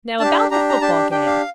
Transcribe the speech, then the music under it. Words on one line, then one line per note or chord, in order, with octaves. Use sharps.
Now about the football game.
D4 G4 A5
D4 G4 A#5
A#5
D4 G4 A5
D4 G4 G5
F5